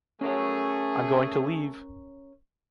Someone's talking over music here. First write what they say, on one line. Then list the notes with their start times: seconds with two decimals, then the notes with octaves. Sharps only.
I’m going to leave! ...
0.21 A3 C#4 G#4 A#4 C#5